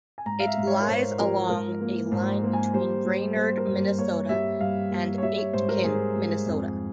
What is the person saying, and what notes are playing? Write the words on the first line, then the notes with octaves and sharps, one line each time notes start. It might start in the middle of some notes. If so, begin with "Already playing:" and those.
It lies along a line between Brainerd, Minnesota, and Aitkin, Minnesota.
G#5
G#2 A#5
F5
E5
G#2
C#5
A#4
G#2 C5
F3 A#4
G#2 A#4
A#3
G#2 C5
A#3
G#5
G3 C5
G3
A#3 C5
A#4
G2
C5
A#3 C#5
G3 E5
G2 F5
A#3
C#5
G3 E5
C#5
G#2 C5
A#4
G#2 G#4
G#2
F2